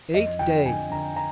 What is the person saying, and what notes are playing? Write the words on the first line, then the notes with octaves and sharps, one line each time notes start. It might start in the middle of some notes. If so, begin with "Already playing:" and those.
Eight days!
F2 D#5
F2 G5
D3 G#5
D3 A#5
A#5